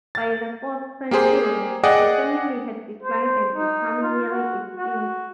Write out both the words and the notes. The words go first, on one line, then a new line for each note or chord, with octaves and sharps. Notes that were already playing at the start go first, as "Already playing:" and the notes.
By the fourth century, the family had declined and become nearly extinct.
A6
A#3 G4 G#4 C5
G#4 D5 D#5 F#5 G5
C5
D#4
F4
F#4
F#4